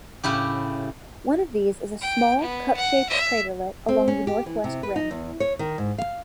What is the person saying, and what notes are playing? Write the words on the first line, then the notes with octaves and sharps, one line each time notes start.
One of these is a small, cup-shaped craterlet along the northwest rim.
A2 C#3 E4 G4
G5
B3
F#5
E5
C4
C#4
G4
E3
C3
B4
D#4
E2
C#5
D#3
G#2
F5